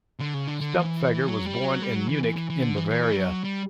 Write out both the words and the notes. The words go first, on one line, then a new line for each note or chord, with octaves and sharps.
Stumpfegger was born in Munich in Bavaria.
D3
C#3
D3
D3
E3
F#3
G3
F#3
G3
F#3
E3
E3
E3
E3
D3
E3
E3
G3
F#3
G3